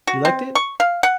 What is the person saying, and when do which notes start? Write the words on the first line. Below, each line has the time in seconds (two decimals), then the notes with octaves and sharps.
You liked it?
0.07 F#4
0.25 C4
0.55 C#6
0.80 F5
1.03 F#5